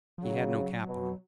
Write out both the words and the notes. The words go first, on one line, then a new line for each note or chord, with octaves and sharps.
He had no cap on.
F3
C#3 F#3
B2